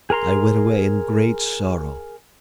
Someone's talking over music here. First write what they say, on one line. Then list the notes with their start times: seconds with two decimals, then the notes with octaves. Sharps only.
I went away in great sorrow.
0.10 G#4 A#4 A#5 C6